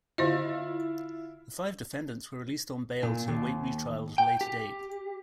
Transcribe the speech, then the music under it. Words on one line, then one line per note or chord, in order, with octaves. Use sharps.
The five defendants were released on bail to await retrial at a later date.
D3 E4 F4 C5 D#5
A#2
D#2
G5
G4